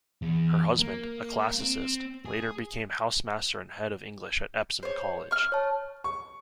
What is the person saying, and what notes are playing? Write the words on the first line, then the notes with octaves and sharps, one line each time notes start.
Her husband, a classicist, later became housemaster and head of English at Epsom College.
E2
A#3
C4
G#4
C5 C#5
C#6 F6
C#5 A5
C#6